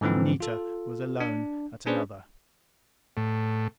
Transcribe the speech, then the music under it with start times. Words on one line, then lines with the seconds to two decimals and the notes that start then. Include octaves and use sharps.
Anita was alone at another.
0.01 G#2 D3 E3 F3 C4
0.40 F4 A4
1.20 D4
1.86 C#4 D4 G#4 B4 C5 D5
3.17 A2